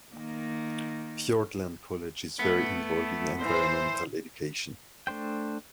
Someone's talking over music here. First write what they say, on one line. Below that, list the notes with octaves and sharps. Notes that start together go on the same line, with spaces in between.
Fiordland College is very involved in environmental education.
D#3 A#3
A3 B3
E3 C5
A3 D4 C5 G5